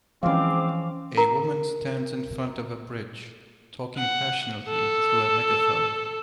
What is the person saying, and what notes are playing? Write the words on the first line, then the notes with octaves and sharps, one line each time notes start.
A woman stands in front of a bridge, talking passionately through a megaphone.
E3 F3 G#3 C4 C#4 F5 D6
A#4 A#5
F#5
A4